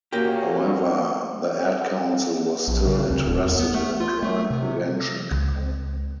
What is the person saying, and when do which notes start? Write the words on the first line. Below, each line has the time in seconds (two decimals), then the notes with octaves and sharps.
However, the Ad Council was still interested in a crime prevention campaign.
0.12 A#2 A#3 C#4 F#4 G4
2.68 A#1
2.87 C#3
3.10 D2
3.28 D1
3.44 E2
3.59 B3
3.74 A3
4.00 F4
4.23 A3
4.51 C3
5.31 C#2